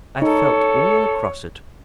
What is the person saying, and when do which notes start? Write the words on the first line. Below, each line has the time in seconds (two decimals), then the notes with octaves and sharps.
I felt all across it.
0.22 D#4 A4 C#5